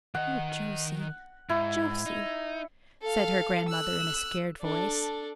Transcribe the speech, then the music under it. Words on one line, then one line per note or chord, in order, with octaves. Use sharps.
"Oh, Josie, Josie," said her grandmother in a scared voice.
D#3 D#5 F#5
G#2 E4
D#4
A4 F5
E6 F#6
D4 A4